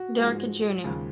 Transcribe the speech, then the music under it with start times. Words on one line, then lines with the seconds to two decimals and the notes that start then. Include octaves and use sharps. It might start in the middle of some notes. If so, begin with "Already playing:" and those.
Durkee Jr.
Already playing: F#4
0.20 G#2 F3 G#3
0.84 D#2 C#3 F3 G#3